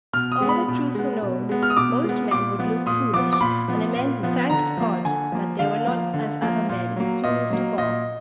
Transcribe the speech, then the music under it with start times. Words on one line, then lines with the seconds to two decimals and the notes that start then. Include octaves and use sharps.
If all the truth were known, most men would look foolish; and the men who thanked God that they were not as other men, soonest of all.
0.13 B2 F6
0.32 D#6
0.40 G#3 B3
0.49 B5
0.68 B2
0.95 G#3 B3
1.22 B2
1.49 G#3 B3
1.63 F6
1.70 D#6
1.77 B2 D6
2.04 G#3
2.09 B3
2.31 A#2 D6
2.59 F3 B3
2.86 A#2 D#6
3.13 F3 B3 D6
3.33 D6
3.41 A#2 B5
3.68 F3 B3
3.95 A#2
4.23 F3 B3
4.50 D3 A#5
4.77 F3 A#3
5.05 D3 G#5
5.32 F3 A#3
5.59 D3 F5
5.86 F3 A#3
6.14 D3
6.42 F3 A#3
6.69 A#2
6.96 F#3 A#3
7.24 A#2 D#5
7.50 F#3 A#3
7.78 A#2 D#5